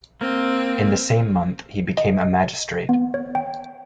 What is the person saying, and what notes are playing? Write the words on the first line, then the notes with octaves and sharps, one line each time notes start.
In the same month he became a magistrate.
A#3 C4
D#5
B3
C#5
G5